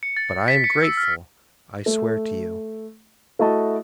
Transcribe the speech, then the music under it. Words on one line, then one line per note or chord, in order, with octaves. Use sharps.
"But I am grateful, I swear to you."
C#7
A6
B6
C#7
E6
F6
A3
A3 E4 F#4 D#5 A5